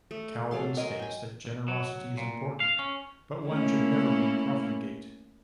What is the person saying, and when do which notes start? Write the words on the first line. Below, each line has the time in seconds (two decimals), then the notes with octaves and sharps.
Calvin states that generosity is important, but one should never be profligate.
0.11 A3
0.51 F#3 G#4 A4 F5 C6
0.77 A#4 D#5 G#5 C6
0.99 G5 G#5
1.68 F#3
2.18 A#2
2.60 F5
2.79 C#4
3.47 A3 A#3 C#4 E4